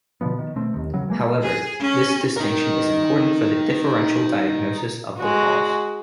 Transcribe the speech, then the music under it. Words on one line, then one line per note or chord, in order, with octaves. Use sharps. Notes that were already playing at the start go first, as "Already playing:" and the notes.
However, this distinction is important for the differential diagnosis of the cause.
B2 D3 F3 B3
D#3
B2 A3 C4
D#2 D#3
D1 C#3 F#3
E3 G#3 A#3
G#4
C#4
D#4 A#4
G#3 F#4